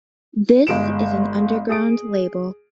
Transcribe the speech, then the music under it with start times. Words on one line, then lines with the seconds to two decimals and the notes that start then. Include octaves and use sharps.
This is an underground label.
0.67 G1 G#3 D7 E7
1.69 G#4 D#6 D7